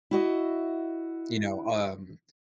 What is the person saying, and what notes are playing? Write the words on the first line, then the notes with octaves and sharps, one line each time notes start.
you know, um,
E4 F#4 D#5